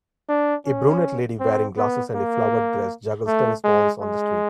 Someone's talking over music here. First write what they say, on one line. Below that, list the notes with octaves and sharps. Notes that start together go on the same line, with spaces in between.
A brunette lady wearing glasses and a flowered dress juggles tennis balls on the street.
D4
C#4
C4
B3
A#3
A3
G#3
G#3